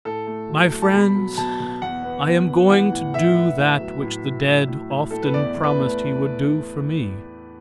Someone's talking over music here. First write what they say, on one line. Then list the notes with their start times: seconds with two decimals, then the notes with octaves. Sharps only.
My Friends: I am going to do that which the dead often promised he would do for me.
0.05 A2 A4
0.27 A3
0.49 F#3
0.71 A3
0.82 A5
0.93 B2 B5
1.15 F#3
1.37 B2 A5
1.60 B2
1.82 E2 F#5
2.03 B3
2.26 E2
2.48 E2
2.70 E3 F#5
2.92 A2
3.13 E3 E5
3.36 B3
3.57 A2
3.80 F#3
4.02 A2
4.24 F#3
4.46 A2
4.68 A2
4.90 A2
5.11 A2 A4
5.23 B4
5.34 E2 D5
5.56 E2
5.64 B4
5.78 A3